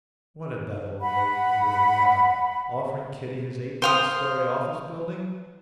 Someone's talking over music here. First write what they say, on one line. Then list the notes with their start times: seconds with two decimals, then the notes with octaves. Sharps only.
What had that old rogue been doing now--offering Kitty his eighteen-story office building?
1.01 F#5 B5
3.82 C5 F5 D#6